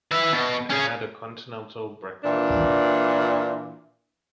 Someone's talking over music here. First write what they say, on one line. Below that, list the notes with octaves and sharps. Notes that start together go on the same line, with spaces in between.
I had a continental breakfast.
B4 E5
B2
C#4 G#4
A#2 E3 D4